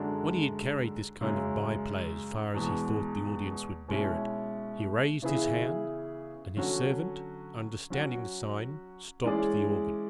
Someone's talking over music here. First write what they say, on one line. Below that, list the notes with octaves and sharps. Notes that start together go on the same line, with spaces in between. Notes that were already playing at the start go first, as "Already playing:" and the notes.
When he had carried this kind of by-play as far as he thought the audience would bear it, he raised his hand, and his servant understanding the sign, stopped the organ.
Already playing: F#2 D3 G#3 D4 F#4
F#2 C#3 G#3 C#4
E2 B2 G#3
B2 G#3 C#4 E4
C#3 E3 B3 E4 G#4
D3 F#3 C#4 F#4
F#3 C#4 F#4
E3 G#3 C#4 G#4 D5